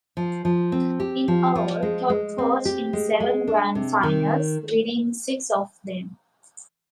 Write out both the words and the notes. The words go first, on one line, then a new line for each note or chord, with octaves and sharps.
In all, Todd coached in seven Grand Finals, winning six of them.
F3
F3
C4
G4
F3
F3
G#3
G#3
C4
G4
G#3
G#3
D4
C3
D#3